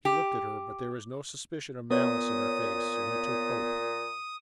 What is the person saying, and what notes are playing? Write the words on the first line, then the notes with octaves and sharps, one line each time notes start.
He looked at her, but there was no suspicion of malice in her face, and he took hope.
G4
A#2 B3 C#5 D#6